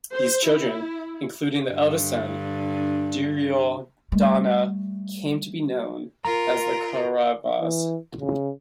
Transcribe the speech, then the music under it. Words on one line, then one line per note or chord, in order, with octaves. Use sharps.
These children, including the eldest son Duryodhana, came to be known as the Kauravas.
C5
E4
G2 D3
G3 A3
F4 A#4 A#5
E3
C#3